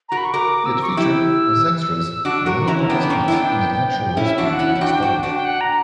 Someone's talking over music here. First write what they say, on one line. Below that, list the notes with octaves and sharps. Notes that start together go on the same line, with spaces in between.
It featured, as extras, many participants in the actual rescue and its coverage.
F#4 A#4 A#5
B5
C#6
F#4 A#4 D6
E6
C#6
D6
E4 G4 E6
D4 F#4 D6
F#4 A#4 C#6
C#4 E4 A#5
B3 D4 G5
D4
A#3 C#4
E4
B3 D4
C#4 E4 E5
D4 F#4
F#5
C#4 E4
E4
D4 F#4 G5
D4 F#4
D4 F#4
G5
F#5
A#5